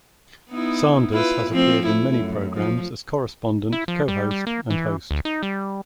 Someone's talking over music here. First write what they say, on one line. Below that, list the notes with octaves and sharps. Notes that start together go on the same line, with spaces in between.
Sanders has appeared in many programs as correspondent, co-host, and host.
B3 D#4 E4
E4 F4 B4
F3 A3 C4
A3 E4
F#2
F3
E4
F3
G3
G3
A#3
E3
D2
D#4
G3